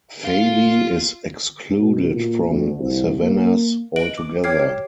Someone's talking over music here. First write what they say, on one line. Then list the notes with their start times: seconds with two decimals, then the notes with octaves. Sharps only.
Fali is excluded from Savannas altogether.
0.24 F4
1.79 B2
2.11 A#2
2.50 D2
2.79 C2
3.22 A#3
3.96 B4 D#5 D7 F#7
4.18 D6
4.44 C#5 G5 D6 F6 G#6 C7
4.59 G4